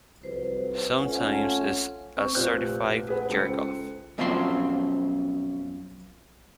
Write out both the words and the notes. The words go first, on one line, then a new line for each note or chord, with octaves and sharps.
Sometimes it's a certified jerk-off.
C2 F2 F#3 B4 C5
F2 A3 C#4 F4 F#5
C4 C#6
F1 A#2 G4 C5 F#6 G6
G#4 B4 F#5
C#2 A4 C5 C#7
F#2 B2 F3 C4 G4 C6